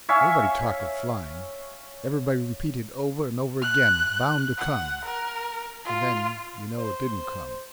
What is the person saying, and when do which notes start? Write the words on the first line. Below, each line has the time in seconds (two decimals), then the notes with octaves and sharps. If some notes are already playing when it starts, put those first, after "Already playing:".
Everybody talked of flying, everybody repeated over and over again, "Bound to come," and then you know it didn't come.
0.09 C#5 E5 F5 G#5
3.62 F#6
4.58 F#5
5.05 A#4
5.85 F4
6.79 C5